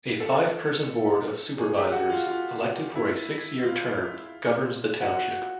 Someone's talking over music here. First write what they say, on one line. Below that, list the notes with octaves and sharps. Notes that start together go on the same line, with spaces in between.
A five-person board of supervisors, elected for a six-year term, governs the township.
A4
G#4
G4
F#4
F4
F4
E4
F4
F#4